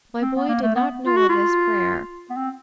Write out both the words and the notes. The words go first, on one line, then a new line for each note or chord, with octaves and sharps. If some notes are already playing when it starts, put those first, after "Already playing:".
My boy did not know of this prayer.
C4
B3
A#3
A3
B3
F4
F#4
F4
B3
C4